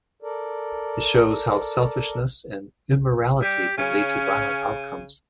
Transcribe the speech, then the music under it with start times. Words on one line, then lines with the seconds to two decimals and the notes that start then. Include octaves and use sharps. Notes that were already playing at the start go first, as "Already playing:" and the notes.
It shows how selfishness and immorality can lead to violent outcomes.
0.22 A4 A#4 D5
3.42 G3 G4
3.78 C#3 C#4